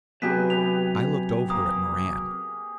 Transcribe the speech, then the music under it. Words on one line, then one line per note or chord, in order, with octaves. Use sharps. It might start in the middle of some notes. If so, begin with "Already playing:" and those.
I looked over at Moran.
C3 F#3 B3 G4 G#4 B4 B6
G4 G#4 B4 F7
A#3 D#6